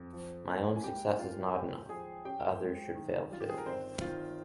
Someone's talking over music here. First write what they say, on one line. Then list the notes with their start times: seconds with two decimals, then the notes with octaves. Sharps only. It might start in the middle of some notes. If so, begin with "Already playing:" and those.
My own success is not enough, other should fail too.
Already playing: F2
0.13 F3
0.49 A#3
0.76 G#5
0.83 C#2 G4 G5
1.19 C#2 F4 F5
1.43 G#5
1.54 D#2 G4 G5
1.89 F3 G#4 G#5
2.25 C#4 G4 G5
2.60 G#3
2.95 D#3
3.31 G3 F4
3.40 G4
3.49 G#4
3.58 A#4
3.66 G1 C4 C5
4.01 D#3 F4